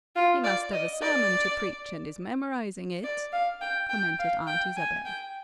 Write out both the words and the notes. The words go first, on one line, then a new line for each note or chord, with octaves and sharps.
"He must have a sermon to preach and is memorizing it," commented Aunt Isabel.
F4
D5
D#5
D5
D5
F5
G5
G5
F5
G5
G#5
G5